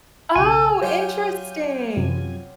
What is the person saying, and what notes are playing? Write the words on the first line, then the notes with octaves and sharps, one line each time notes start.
Oh, interesting!
B1 C#3 G#5
F#3 F4 G4 G6
F#2 C3 F3